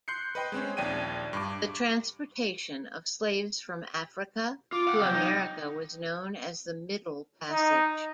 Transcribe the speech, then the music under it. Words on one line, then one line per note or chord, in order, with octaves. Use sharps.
The transportation of slaves from Africa to America was known as the Middle Passage.
C6 F#6 G6 C7 C#7
B4 D#5 G5 C6
G#3 C4 C#4
A#1 D#2 D5 G5 G#6 D#7
G2 D6
F4 D6
F5 F#5
C3 F#3 G5
D#4
D#4